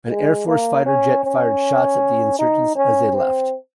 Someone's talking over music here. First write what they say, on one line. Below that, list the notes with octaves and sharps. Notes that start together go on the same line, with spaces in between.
An Air Force fighter jet fired shots at the insurgents as they left.
G#3
A#3
C#4
C#4
D#4
C#4
C4